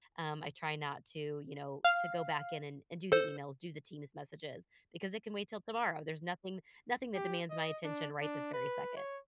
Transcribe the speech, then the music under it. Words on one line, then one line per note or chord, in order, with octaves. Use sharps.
um, I try not to, you know, to go back in and and do the emails, do the Teams messages because it can wait till tomorrow. There's nothing nothing that demands my attention right this very second.
F5
A4 C5
G4
D#5
D4
D4
B4
C#5